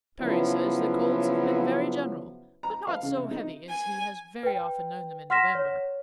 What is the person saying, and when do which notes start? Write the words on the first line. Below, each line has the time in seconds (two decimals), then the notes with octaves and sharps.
Perry says that colds have been very general, but not so heavy as he has very often known them in November.
0.21 C#3 F3 F#3 B3 E4
2.63 A#5
2.87 F5
3.03 C#3
3.17 C3
3.31 D#4
3.69 G#5
4.43 B4 G5
5.30 F#5 C6 F6 A#6 B6 E7
5.55 C#5